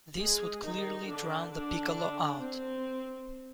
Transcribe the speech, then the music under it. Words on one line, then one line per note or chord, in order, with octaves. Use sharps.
This would clearly drown the piccolo out.
G#3 G#4
D#3 D#4
D3 D4
D3 D4
C4